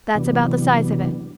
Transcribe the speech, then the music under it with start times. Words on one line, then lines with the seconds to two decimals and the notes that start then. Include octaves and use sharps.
"That's about the size of it."
0.15 C3 E3 F#3 G3 B3 D4